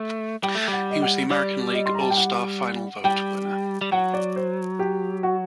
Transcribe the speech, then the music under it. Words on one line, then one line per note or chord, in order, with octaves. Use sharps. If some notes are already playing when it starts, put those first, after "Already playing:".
He was the American League All-Star Final Vote winner.
Already playing: A3
G3 G5
A3
G3 F#5
D#5
F#5
G3 D5
D#5
C6
A#5
A5
G5
F#5
G3 G5
G3
F#3 F#5
D5
C5
G4
F#4